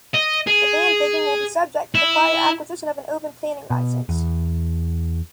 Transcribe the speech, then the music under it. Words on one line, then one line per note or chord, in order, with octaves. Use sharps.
The land digging will be subject to the prior acquisition of an urban planning license.
D#5
G#4
E4
B2
E2